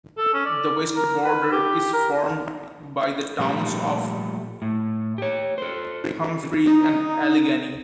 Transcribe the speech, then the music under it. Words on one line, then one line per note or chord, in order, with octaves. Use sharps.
The west border is formed by the towns of Humphrey and Allegany.
A4
C#4
D5
A#4
B4
G4
A#4
A#2 F3 G3 A3 G4
A2
G4 C#5
A4 C5
D#4